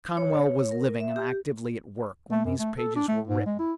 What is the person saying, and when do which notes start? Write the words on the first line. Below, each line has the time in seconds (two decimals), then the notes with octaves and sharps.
Conwell was living, and actively at work, when these pages were written.
0.17 C#5
0.71 A#4
1.00 E5
1.16 G4
2.31 A3
2.45 F#2
2.59 A3
2.78 A4
2.96 D4
3.08 A3
3.27 G#2
3.46 G#3
3.59 E4